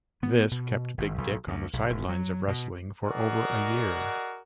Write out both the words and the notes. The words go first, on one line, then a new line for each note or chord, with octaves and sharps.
This kept Big Dick on the sidelines of wrestling for over a year.
B3
B2
G#1
B1
D2
B1
E1
F#3
B2
F#4 G#4 A#4 D5 D#5 F#5